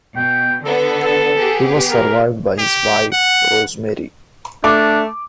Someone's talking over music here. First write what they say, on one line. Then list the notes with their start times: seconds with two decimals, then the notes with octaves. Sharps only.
He was survived by his wife, Rosemary.
0.16 B2 G5
0.64 D3 B3 A4
1.04 A4
1.37 B3 G4 G#4
1.91 A#4
2.59 G4
3.13 F#5
4.64 A3 D4 D6